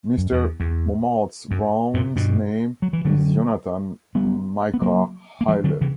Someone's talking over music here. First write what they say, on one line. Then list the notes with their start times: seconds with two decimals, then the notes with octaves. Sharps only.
Mr. Mommaerts-Brown's name is Yonathan Micah Hillel.
0.17 F#2
0.32 E2
0.60 E2
1.51 F#2
1.94 F#2 A#2
2.16 G2 B2
2.82 F#3
2.93 E3
3.05 D3 F#3
4.15 G3 B3
4.74 B3
4.82 F#3 A#3
5.41 A#3
5.48 E3 G3
5.64 D3 F#3
5.81 C#3 E3